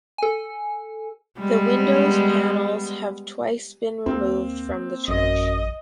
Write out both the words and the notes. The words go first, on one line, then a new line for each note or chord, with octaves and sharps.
The windows panels have twice been removed from the church.
A4 G#5
G3 G#3 B3
D#2 A#3 C4
A1 F#2 D#5